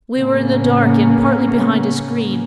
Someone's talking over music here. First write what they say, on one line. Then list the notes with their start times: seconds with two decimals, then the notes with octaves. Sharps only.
We were in the dark and partly behind a screen.
0.16 A2 C#3 A#3 B3 C#4